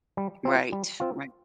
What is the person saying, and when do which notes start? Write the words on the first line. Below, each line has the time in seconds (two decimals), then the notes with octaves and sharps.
Right, right.
0.17 G3
0.45 C4 F4
0.72 G3
1.00 C4 F4